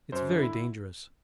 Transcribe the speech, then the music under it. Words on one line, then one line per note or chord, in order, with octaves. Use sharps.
It's very dangerous.
F#2 C5
D3
E4